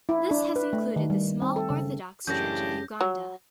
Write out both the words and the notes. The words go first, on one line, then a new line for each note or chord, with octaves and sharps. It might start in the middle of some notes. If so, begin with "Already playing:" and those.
This has included the small Orthodox Church of Uganda.
E4
D4
B4
A3
D#3
G3
C4
A4
C#3
F#2 A2 C#3 E3 D4 G4 G6 A#6
F#3